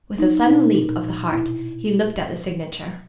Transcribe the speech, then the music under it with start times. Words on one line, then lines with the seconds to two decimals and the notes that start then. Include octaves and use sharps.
With a sudden leap of the heart he looked at the signature.
0.18 B3 D#4
0.46 B2 D#4
0.75 A#2
1.03 A#2
1.31 B2 E4